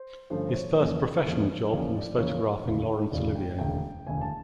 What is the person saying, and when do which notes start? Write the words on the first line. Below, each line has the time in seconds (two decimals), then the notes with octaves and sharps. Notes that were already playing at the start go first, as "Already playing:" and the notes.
His first professional job was photographing Laurence Olivier.
Already playing: C5
0.30 G2 D3 F3 A3 C#4 C5
0.49 C5
0.54 C#5
0.77 E2 C#3 F3 A#3 C#4
1.25 E2 C#3 F3 A#3 C#4
1.71 E2 C#3 F3 A#3 C#4 D5
1.95 D5
2.18 E2 C#3 F3 A#3 C#4 C#5
2.65 E1 D2 C#3
3.12 E1 D2 C#3 D5
3.36 G5
3.59 E1 D2 C#3 G5
4.07 E1 D2 C#3 G#5
4.21 A5